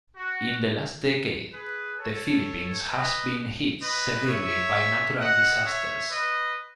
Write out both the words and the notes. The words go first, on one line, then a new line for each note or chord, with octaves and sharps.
In the last decade, the Philippines has been hit severely by natural disasters.
F#4
G#4 B4
A4 C#5
B4 D#5
B4 D#5
C#5 E5
D#5 F#5
C#5 E5
B4 D#5